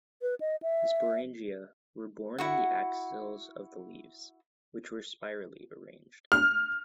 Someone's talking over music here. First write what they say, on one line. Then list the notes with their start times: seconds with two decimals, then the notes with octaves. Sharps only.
The sporangia were borne in the axils of the leaves, which were spirally arranged.
0.22 B4
0.40 D#5
0.63 E5
2.38 E4 F#4 F#5
6.32 F6